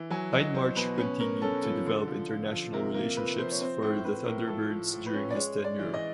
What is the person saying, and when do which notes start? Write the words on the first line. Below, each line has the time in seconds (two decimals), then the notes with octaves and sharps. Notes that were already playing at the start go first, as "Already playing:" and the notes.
Hindmarch continued to develop international relationships for the Thunderbirds during his tenure.
Already playing: E3
0.10 F#3 G#5
0.33 F#3 D#5
0.54 F#3 C5
0.76 B2 B4
0.98 C#4 B4
1.20 C#4 A#4
1.42 C#4 A4
1.63 F3 A4
1.86 D3
2.08 F3
2.29 F3
2.51 F3
2.73 C3 A#4
2.94 A#3 A#4
3.17 F3 B4
3.38 F3 C5
3.51 C#5
3.61 C4 C5
3.82 A2 C5
4.05 A2 B4
4.25 A2 A#4
4.47 F3 A4
4.70 F3
4.92 F3
5.06 B4
5.13 C#4
5.30 D5
5.35 G#3 C#5
5.57 G#3
5.64 D5
5.79 E3
5.94 D#5